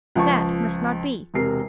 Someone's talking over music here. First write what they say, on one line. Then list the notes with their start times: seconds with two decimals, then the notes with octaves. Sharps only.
That must not be.
0.16 C#2 F3 A5 C#6
1.34 E1 C3 A#4 C7